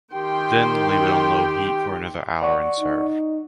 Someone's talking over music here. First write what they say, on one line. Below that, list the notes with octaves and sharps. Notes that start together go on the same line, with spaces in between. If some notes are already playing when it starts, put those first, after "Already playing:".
Then leave it on low heat for another hour and serve.
D#3 G4 G5 C6
D5 F#5 C#6
D#4